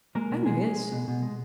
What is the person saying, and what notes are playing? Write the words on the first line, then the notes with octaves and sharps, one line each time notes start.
"Oh, yes."
G#3 A#3 A#4
B2
B2 G#3 G#4
G#3
G#3
B2
B2
G#3